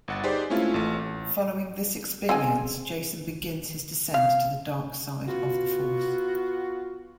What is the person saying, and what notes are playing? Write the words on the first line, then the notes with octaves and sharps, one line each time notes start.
Following this experience, Jacen begins his descent to the dark side of the Force.
G1 F#5 A6
D#4 G4 G#4 B4 C5 D5
G#3 A3 C4 C#4 E4 F4
A1 A3
A1
C4 G#4 G#5
F5
B3 F4 F#4